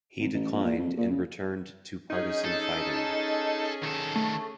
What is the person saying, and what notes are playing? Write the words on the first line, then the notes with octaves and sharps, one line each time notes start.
He declined and returned to partisan fighting.
G#1
A1
A#1
A#2
F2
A#2
C#3
C#4 D#4 G#4
A4
D#3 A4
A3